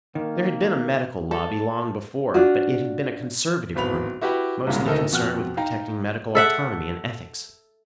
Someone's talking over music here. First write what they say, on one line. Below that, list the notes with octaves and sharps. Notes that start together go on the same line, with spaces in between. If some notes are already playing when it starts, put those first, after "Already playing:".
There had been a medical lobby long before, but it had been a conservative group, mostly concerned with protecting medical autonomy and ethics.
D#3 A#3
A4
D4 F4 F#4
D1 G#1 B3 B5 F7
E4 F#4 G4 B4 G5 B5
C2 G2 A#2 C#3 G#3
D2 D#3 A4 A#4 D#5
F2 B2 F#5 F6 F#6
D#4 F5 G5 A#5
A4 E5 F#5